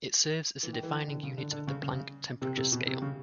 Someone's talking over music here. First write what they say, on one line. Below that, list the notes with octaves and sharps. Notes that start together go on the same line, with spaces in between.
It serves as the defining unit of the Planck temperature scale.
E3
D#3
E3
D#3
D3
C#3
D3
D3
C#3
C#3
C3
C3
B2
C3
C#3